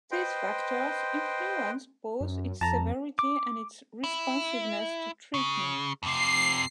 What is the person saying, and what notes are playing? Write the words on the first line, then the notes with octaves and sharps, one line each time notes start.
These factors influence both its severity and its responsiveness to treatment.
B4 C5 D#5 G5 C6
F#2
F2 A5 A#5
D6
E4
C#3
F2 C3 C7